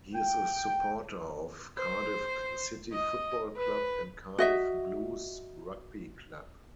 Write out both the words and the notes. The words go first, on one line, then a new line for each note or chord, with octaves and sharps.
He is a supporter of Cardiff City Football Club and Cardiff Blues Rugby Club.
G5
C5
D#5
B4
F#4 D#5 E5